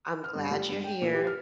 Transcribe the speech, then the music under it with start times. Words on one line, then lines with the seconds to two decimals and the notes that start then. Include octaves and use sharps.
I'm glad you're here.
0.24 F6
0.35 G2
0.51 G3
0.69 G2
0.84 G5
1.02 A#2
1.14 G4
1.27 F6